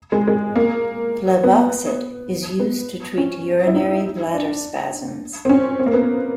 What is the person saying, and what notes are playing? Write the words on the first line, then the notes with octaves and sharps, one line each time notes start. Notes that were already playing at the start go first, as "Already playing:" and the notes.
Flavoxate is used to treat urinary bladder spasms.
G#3
G#3
A#3
B3
B3
C#4
E4
D#4
D4
C4
C#4
C4
A#3
B3